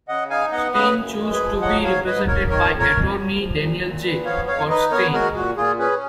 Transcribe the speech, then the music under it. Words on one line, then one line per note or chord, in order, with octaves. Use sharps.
Steyn chose to be represented by attorney Daniel J. Kornstein.
C#3 D#5 F#5
D#4 F5 G#5
B3 D#5 F#5
C#3 B4 D#5
F#2
G#3
G#4 B4
F3
F#3 D#5 F#5
G#2 C#5 F5
G#2 B4 D#5
A#3 A#4 C#5
D#3 A#4 C#5
F2
A#4 C#5
F2
F#3
F3
A#2
A#2
B3
F3 C#5 F5
F2 C#5 F5
D#4 B4 D#5
B3 A#4 C#5
G#3 F#4 A#4
A#2 F#4
A#2 F4 G#4
C#4 G#4 B4